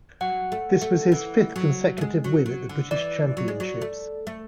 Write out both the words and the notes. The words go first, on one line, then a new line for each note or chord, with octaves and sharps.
This was his fifth consecutive win at the British Championships.
F#3 F#5
A3
A3
E3
F#3
A3
G#3
F#3
F#3
D3
E3 D5
F#3
G#3
F#3
A3
A3